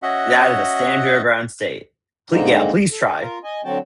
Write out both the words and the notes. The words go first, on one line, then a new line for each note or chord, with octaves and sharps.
that is a stand your ground state. "Plea yeah, please try."
C#4 F#4 D#5 E5 F#5
D3 G#3 A#3 C4 D#4
A4
F4 A#4
D#5 G#5
D3 F#3 C4 F#4 G5 A5